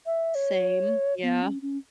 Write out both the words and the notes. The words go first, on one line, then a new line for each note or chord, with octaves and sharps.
Same, yeah.
E5
C#5
B3
C#4
C#4